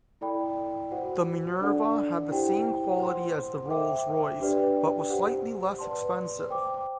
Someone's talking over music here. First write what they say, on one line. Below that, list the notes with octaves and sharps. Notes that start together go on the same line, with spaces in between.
The Minerva had the same quality as the Rolls-Royce, but was slightly less expensive.
E4 A4 D5 G5 B5
F#4 C5 F#5
D4 A4 D5 F#5
E4 G4 C5 G5
C5 F#5 C6
A4 C5 E5 G5 D6
D4 G4 B4 D5 G5
G4 C5 F#5
B4 D5 A5 C6
C5 G5 D6